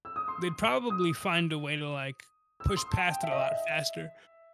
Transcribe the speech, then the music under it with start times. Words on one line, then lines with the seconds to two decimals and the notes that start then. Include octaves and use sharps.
they'd probably find a way to, like, push past it a lot faster,
0.05 E6
0.16 D#6
0.28 C6
0.90 D#6
2.60 E6
2.68 D#6
2.76 C6
2.92 A5
3.07 G5
3.23 E5
3.32 D#5
3.38 E5